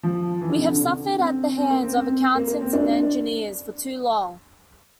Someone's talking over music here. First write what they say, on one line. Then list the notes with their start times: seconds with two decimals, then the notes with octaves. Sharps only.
We have suffered at the hands of accountants and engineers for too long.
0.03 F3
0.41 E3
0.49 D3
0.58 C3
0.66 D3
0.81 D3
1.19 C4
1.58 C4
1.71 A#3
1.83 C4
1.96 C4
2.35 A#3
2.48 A#3
2.61 C4
2.73 D4